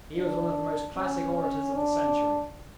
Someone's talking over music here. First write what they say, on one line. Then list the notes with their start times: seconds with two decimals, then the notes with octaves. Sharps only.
He was one of the most classic orators of the century.
0.16 D4
0.96 C#4
1.35 C#4
1.75 D4